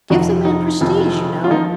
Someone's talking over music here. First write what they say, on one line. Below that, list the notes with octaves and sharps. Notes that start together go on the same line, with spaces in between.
'Gives a man prestige, you know.
F1 F2 F3 D#4 F#4
D#4
F1 F2 F3
F4
F3 D#4